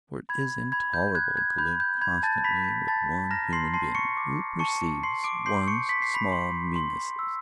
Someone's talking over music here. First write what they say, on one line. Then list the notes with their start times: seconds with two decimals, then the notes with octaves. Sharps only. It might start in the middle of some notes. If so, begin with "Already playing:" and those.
For it is intolerable to live constantly with one human being who perceives one's small meannesses.
0.29 B5 G#6
0.72 B5 G#6
0.94 G6
1.15 F#6 G#6
1.37 G#6
1.58 B5 G6
1.80 G6
2.01 B5 G#6
2.23 A5 A6
2.44 B5 B6
2.88 A5 B5 A6
3.31 A#5 F6 A#6
3.53 C6 C7
3.73 A5 C6 C7
3.95 C#6 C#7
4.17 D6
4.59 A5 C#6 C#7
5.03 C6 C7
5.24 D6 D7
5.46 C6 G6 C7
5.67 C#6 C#7
5.89 C6 B6
6.02 C7
6.14 B5 B6
6.32 C6
6.76 C6
7.19 E6